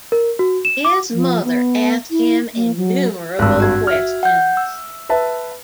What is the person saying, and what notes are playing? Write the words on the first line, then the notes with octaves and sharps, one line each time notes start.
His mother asked him innumerable questions.
A#4
F#4
E7
D6
F3
B3
E4
A#3
F#3
G#1 G2 E6 F#6
F#4 G#6
E5 F6
F#5 G6
E6
B4 E5 A5